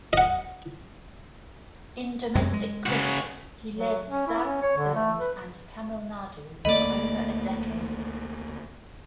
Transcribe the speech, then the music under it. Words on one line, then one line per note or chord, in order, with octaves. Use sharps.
In domestic cricket, he led South Zone and Tamil Nadu for over a decade.
D#5 F#5
F#2 C3 G#3
G#3
C#3 F#4
F#3
C#4
E4
C#4
C#5
D3
A3
B4
D2 A3 A#3 D5 D#5 B5